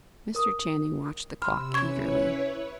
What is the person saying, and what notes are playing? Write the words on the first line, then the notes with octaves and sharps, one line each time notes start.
Mr. Channing watched the clock eagerly.
A#4 D#6
C3 B5 C6 E6 F6
C#4 E4 B4 C#5 C#6 G#6